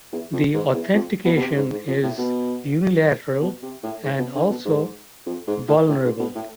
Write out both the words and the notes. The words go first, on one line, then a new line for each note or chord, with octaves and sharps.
The authentication is unilateral and also vulnerable.
E2
F2
G#2
E2
F2
B2
B2
C3
G#2
G#2
F2
A2
B2
B2
C3
A2
G#2
B2
D3
B2
G#2
F2
G#2
A2
A2
G#2
B2
A2